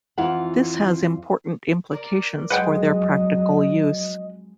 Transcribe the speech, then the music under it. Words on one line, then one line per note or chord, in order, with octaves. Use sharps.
This has important implications for their practical use.
F2 E3 F4 F5 F#5
A#4 D5
F2 F#3 G#3 B4 D#5 F#5 G5